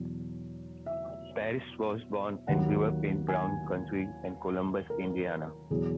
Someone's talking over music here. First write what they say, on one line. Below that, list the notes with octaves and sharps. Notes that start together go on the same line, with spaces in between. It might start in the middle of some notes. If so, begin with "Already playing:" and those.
Paris was born and grew up in Brown County and Columbus, Indiana.
Already playing: E2 B2 F#3
E5
D#2 D#3 F#3 F#5
G#5
A#4
E2 B2 F#3 G#4